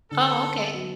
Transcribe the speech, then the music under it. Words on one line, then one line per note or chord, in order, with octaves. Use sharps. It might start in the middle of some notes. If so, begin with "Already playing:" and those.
Oh, okay.
D3 A4
B3
F#3